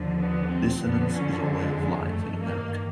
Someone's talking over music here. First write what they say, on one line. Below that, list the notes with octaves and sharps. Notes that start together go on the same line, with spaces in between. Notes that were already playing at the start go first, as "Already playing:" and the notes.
Dissonance is our way of life in America.
Already playing: D#2 D3 F3
B3
C4
F2 D3 F3 B3
C#4
G#3
G2 D#3 A3
A#3